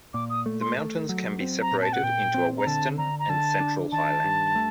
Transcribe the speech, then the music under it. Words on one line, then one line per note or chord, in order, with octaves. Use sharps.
The mountains can be separated into a western and central highland.
A#2 D6
D#6
A3
C6
A3
F#3
C4
A#5
A#2
A5
F#5
A#2 G5
C4
A#5
D3 A5
D3 A#5
A#5
D3 A5
D4
D#3 A5
G2
A3